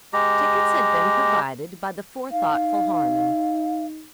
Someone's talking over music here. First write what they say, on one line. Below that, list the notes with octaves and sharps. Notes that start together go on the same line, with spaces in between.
Tickets had been provided by the forethoughtful Harmon.
G#3 G4 A#5
D#4 F5